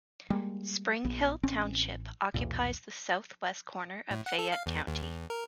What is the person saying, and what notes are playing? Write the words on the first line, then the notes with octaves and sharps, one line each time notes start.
Springhill Township occupies the southwest corner of Fayette County.
G3 G#3 A#3
A#1 B3
A1 C4 C#4
B1 E2 A#2
A2
F#5
A4
F5
E2
D#2
E2
A#4